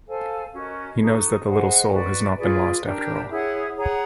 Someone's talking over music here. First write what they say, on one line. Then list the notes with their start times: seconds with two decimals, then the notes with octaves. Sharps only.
He knows that the little soul has not been lost after all.
0.07 A4 C5 F5 G#5
0.54 C#4 F#4 A#4 D#5
1.00 D#4 F#4 A4
1.46 G#4 C5 D#5 F#5
1.92 F#4 B4 D5
2.38 F4 G#4 B4 D5
2.84 D4 G4 A#4
3.30 E4 G#4 C#5 F#5
3.76 G#4 C#5 F#5 A#5